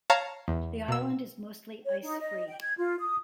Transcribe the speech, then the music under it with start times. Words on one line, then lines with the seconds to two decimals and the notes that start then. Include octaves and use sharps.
The island is mostly ice free.
0.10 C#5 F5 A5 A#5
0.48 E2
0.88 B2 E6
1.86 C#5
2.03 D#4
2.20 D#5
2.48 G5
2.61 G#6
2.78 F4
3.00 D#6